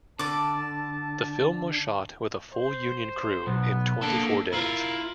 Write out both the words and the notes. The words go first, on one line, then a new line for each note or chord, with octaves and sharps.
The film was shot with a full union crew in twenty-four days.
D3 D5 A5 D6
C5
B1 B3
A#3 D4 A4
E4 F4 A#4